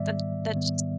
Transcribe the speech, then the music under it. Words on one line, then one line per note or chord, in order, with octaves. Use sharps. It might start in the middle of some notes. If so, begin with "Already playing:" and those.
That that's just
Already playing: G#2 D#3 G3 B3 D5 E5
G#2 D#3 G3 B3